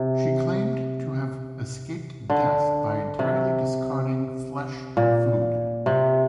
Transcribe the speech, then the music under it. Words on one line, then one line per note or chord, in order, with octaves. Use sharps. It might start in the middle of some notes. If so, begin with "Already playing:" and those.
She claimed to have "escaped death by entirely discarding flesh food".
Already playing: C3
D3
C3
A#2
C3